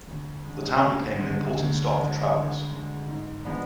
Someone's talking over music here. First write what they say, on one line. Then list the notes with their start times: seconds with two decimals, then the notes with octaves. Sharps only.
The town became an important stop for travellers.
0.07 D2
0.45 D3 G#3
0.83 D2
1.19 D3 G#3
1.57 D2
1.95 D3 G#3
2.31 D2
2.69 D3 G#3
3.07 G#2
3.44 F3 G#3 B3 D4